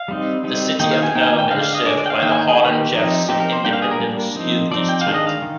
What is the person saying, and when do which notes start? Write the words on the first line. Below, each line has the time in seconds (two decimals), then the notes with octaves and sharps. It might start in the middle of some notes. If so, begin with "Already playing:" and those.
The City of Nome is served by the Hardin-Jefferson Independent School District.
Already playing: F5
0.08 G3 C4 D#4
0.44 G3 C4 D#4
0.79 D#3 A#3 D#4 G5
0.91 F5
1.03 G#5
1.15 D#3 A#3 D#4 G5
1.27 G#5
1.39 G5
1.51 D3 G#3 D4 F5
1.63 F5
1.75 D#5
1.86 D3 G#3 D4 D5
1.98 D5
2.06 G5
2.10 F5
2.22 D#3 A#3 D#4 G5
2.31 G#5
2.49 G#4
2.57 D#3 A#3 D#4 G4
2.93 F3 C4 D#4
3.28 F3 C4 D#4 G4
3.40 A#4
3.52 C5
3.64 G3 A#3 D4 G5
3.73 F5
3.82 G#4
3.91 A#4
4.00 G3 A#3 D4
4.36 F3 C4 D#4
4.71 F3 C4 D#4 D5
4.89 G5
5.01 F5
5.07 D#3 G#3 D4
5.14 D#5
5.27 F5
5.42 D#3